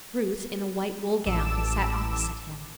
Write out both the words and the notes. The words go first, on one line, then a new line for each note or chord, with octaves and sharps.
Ruth, in a white wool gown, sat opposite him.
A1 A5 D6 E6 E7